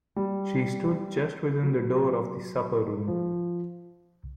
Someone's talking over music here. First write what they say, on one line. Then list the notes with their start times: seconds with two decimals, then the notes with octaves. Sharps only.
She stood just within the door of the supper-room.
0.16 G3
1.63 F#3
3.08 F3